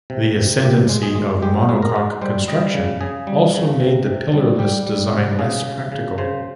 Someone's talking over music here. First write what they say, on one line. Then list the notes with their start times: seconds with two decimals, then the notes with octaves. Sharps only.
The ascendancy of monocoque construction also made the pillarless design less practical.
0.10 C3
0.36 C3
0.63 A#2 G4
0.89 G#3
1.03 G#4
1.15 G#3
1.42 G#3 G4
1.69 G#3
1.82 A#4
1.96 G#3
2.22 G3 C5
2.48 G3 D#5
2.75 C#3
3.01 C#3 G#4
3.27 G3
3.54 C#3
3.80 C3
4.06 C3
4.33 G3
4.59 G3 G4
4.87 G3
5.12 C3
5.39 C#3 G#4
5.65 C#3
5.92 C#3
6.18 C#3 C5